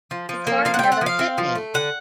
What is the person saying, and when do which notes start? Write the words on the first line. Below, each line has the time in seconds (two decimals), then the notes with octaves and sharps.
Picard never hit me!
0.11 F3
0.29 F3
0.47 A#3
0.65 F3 F5
0.74 F#5
0.79 G5
0.83 C4
0.92 F#5
1.01 F3
1.06 F5
1.19 C4
1.38 F3
1.55 A3
1.74 D3 F#5